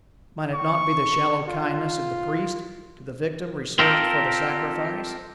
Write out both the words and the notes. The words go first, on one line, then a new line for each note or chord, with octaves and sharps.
Might it not be the shallow kindness of the priest to the victim reserved for the sacrifice?
C#6
F4
C4 F4 G4 A4 A#4